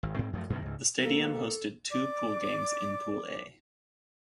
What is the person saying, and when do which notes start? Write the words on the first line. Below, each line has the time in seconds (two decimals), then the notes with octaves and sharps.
The stadium hosted two pool games in Pool A.
0.03 G#1
0.16 G#2 C4
0.33 F#2 F3 F#3 A3
0.50 F#2 B2 D3 D#3
0.63 C#2 G#2
1.03 G#2 B2 A#3 A4
1.91 D5 D6